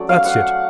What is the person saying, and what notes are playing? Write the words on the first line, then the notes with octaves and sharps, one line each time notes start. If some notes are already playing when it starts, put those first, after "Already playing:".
That's it.
Already playing: F#3 A3 C#4 D5
F5
F#5